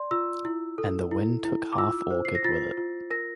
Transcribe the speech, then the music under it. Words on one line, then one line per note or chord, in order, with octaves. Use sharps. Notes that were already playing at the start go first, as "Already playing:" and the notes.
And the wind took half orchard with it.
Already playing: D5 C6
F4 E6
E4
A4
E4
E4
D6
F4 E6
C5
C7
A#6
F4 A6
F4
A#4 A#6